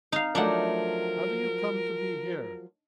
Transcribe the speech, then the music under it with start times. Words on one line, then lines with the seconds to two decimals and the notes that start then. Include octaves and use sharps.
"How do you come to be here?"
0.12 D#4 F5
0.35 F3 F#3 A3 D4 D#4 A#4 F#5